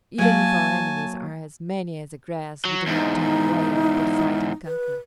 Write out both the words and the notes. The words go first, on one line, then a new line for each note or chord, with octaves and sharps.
Even if our enemies are as many as the grass we do not turn away, but fight and conquer.
F#3 A3 A#3 G#5 A5
F#3
E2 G#2 D#4
B4